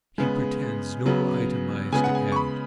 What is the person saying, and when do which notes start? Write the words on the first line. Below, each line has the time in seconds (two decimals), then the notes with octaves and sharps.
He pretends no itemised account.
0.18 C#3 G#3 B3
1.06 C#3 F#3 B3
1.92 C#3 G#3 B3 G#5
2.04 F#5
2.15 G#5
2.32 C#6
2.36 B5